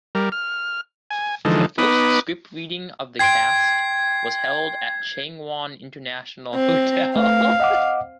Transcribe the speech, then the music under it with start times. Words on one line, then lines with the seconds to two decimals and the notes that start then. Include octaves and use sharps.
The first script reading of the cast was held at Changwon International Hotel.
0.15 G3 A#4
0.32 F6
1.11 G#5
1.45 D3 E3 F3 G#3 D#4 A4
1.78 B3 D#4 B4 B5 D6 D#6
3.19 G5 C6 G#6 C7 D7
6.55 C4
7.16 A3 B4 F5
7.60 D#5 F#5 D6